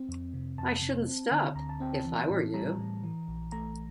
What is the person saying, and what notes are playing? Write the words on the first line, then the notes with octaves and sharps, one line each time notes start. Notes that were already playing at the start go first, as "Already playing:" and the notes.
I shouldn't stop, if I were you.
Already playing: C4
F2
C3
F2 A5
C3
C4
D3
D2 A#5
A5
C4 G5
A5
E3
A2
G3 A#5
A2
E3
A#1
A3 A#5